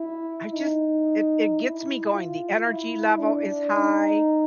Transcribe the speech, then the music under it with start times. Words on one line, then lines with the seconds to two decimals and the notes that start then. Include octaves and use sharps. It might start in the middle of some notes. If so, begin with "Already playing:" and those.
I just it it gets me going, the energy level is high,
Already playing: E4
0.53 D#4
1.59 E4
2.12 F4
2.65 E4
3.18 D4
3.72 D#4